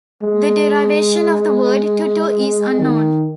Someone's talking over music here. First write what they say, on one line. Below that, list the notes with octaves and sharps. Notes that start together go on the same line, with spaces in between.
The derivation of the word "tutu" is unknown.
G#3
D#3